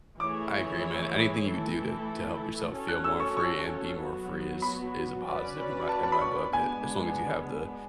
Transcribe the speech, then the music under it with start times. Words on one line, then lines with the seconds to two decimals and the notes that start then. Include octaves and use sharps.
I agree, man. Anything you could do to to help yourself feel more free and be more free is is a positive in my in my book, a as long as you have the
0.20 E3 A3 E4 G#4 C#5 D6
1.46 E3 A3 E4 A4
2.72 C#4 F#4 A4 C#5
2.88 F#6
3.04 E6
3.20 C#6
3.37 C#6
4.00 F#3 B3 F#4
4.62 B5
5.26 C#4 F#4 B4 D5
5.89 A5
6.03 A5
6.12 B5
6.21 C#6
6.53 G#3 B3 D4 G#5